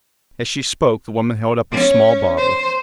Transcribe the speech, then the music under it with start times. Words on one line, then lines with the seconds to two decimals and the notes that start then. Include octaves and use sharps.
As she spoke the woman held up a small bottle.
1.71 C#4
2.37 C5